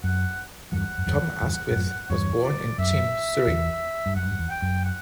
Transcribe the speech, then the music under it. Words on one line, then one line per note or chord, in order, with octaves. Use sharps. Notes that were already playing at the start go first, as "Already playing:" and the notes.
Tom Askwith was born in Cheam, Surrey.
F#2 F#5
E2 G2 F#5
F#2
E2 G2
E2 G2
G2
F#2 A2
E2 G2 C#5
D5
F#2 E5
E2
G2
F#2 F#5
G2
F#2
E2
G5
F#2
F#5